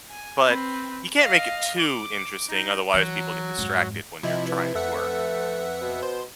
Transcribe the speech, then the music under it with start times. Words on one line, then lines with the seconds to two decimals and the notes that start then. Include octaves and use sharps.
But you can't make it too interesting, otherwise people get distracted when you're trying to work.
0.10 G#5
0.46 C4 B4
1.18 D#5 F5
1.79 D6
2.49 D#4
2.94 E3 F#3
3.58 F2 G#2
4.23 C3 F3 E4 D#5
4.47 B4
4.75 F2 A3 E5 F#5
5.81 B2
6.03 C5